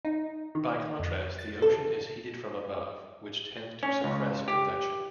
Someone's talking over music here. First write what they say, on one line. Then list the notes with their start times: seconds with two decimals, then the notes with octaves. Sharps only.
By contrast the ocean is heated from above, which tends to suppress convection.
0.05 D#4
0.55 D#3
0.99 F2
1.39 A6
1.62 A4
3.83 C#4
4.04 C#2
4.48 G4